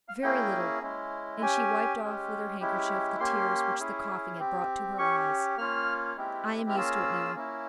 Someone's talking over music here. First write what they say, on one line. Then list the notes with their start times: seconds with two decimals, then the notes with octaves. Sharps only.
"Very little;" and she wiped off with her handkerchief the tears which the coughing had brought to her eyes; "I am used to it now."
0.08 F5
0.23 A#3 C#4 E4 G#4 G5
0.83 G#3 C#4 E4
1.41 C#4 G4 G#5
2.01 G#3 C#4 G4
2.60 G#3 C#4 E4 G4
3.20 A#3 C#4 G4 C6
3.79 C#4 E4 G#4
4.39 C4 G4
4.98 C#4 G4 C#6
5.57 A#3 C#4 F4 F6
6.16 G#3 C4 E4 G4
6.70 F6
6.76 A#3 C#4 F4 G#4 E6
7.35 A#3 C#4 E4